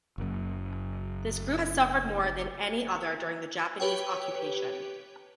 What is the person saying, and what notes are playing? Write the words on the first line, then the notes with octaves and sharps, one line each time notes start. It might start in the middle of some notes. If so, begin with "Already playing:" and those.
This group has suffered more than any other during the Japanese occupation.
F#1 F#2
G4 B4 C#5 G5